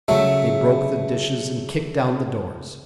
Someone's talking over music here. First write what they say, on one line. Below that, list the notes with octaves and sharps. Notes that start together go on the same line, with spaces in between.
They broke the dishes and kicked down the doors.
C#3 F#3 A3 E5